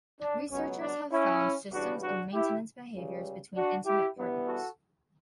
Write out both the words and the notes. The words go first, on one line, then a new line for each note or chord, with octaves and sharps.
Researchers have found systems of maintenance behaviors between intimate partners.
D4
C#2 B2 F#3 B3 C#4
D4
C#4 E4
E2 C#3 G3 B3 D4 F#4
D4 F#4
E4 G4
C#2 C#3 G3
D4 F#4
E4 G4
G2 E3 G3 B3
F#4 A4